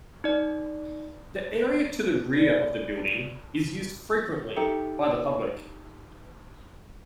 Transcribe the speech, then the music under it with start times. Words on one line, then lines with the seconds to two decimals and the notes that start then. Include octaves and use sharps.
The area to the rear of the building is used frequently by the public.
0.24 D#4 D5
2.33 C3 G3 B3 G#4 B4 D5
4.56 D#4 G4 A4 E5